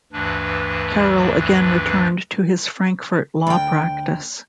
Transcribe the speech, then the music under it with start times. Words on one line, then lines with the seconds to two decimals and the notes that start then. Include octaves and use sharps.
Carroll again returned to his Frankfort law practice.
0.13 D2 G2 E3 D4 B4
3.47 D2 G5